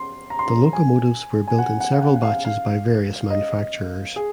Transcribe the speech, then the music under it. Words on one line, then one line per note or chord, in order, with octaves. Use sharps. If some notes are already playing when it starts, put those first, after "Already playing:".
The locomotives were built in several batches by various manufacturers.
Already playing: C6
A#5
C6
A#5
G#5
G#5
F#5
F#5
F5
F#5
F#5
F5
F5
D#5
G#4